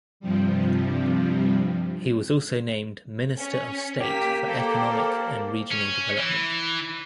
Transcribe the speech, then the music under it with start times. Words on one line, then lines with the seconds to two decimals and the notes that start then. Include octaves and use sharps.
He was also named "Minister of State for Economic and Regional Development".
0.20 G2 C3 F3 G3
3.37 C#4
4.01 A#3 G4 B6
4.46 A#3 A4 C5 D5
5.72 C#4
6.18 E3